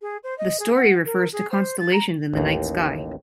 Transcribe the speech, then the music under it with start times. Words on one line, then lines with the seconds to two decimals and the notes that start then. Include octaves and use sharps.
The story refers to constellations in the night sky.
0.02 G#4
0.24 C5
0.38 D#5
0.60 G#4
0.74 F#5
1.06 A#4
1.32 G#4
1.51 C5
1.79 A6
1.93 A#5
2.34 A1 D#2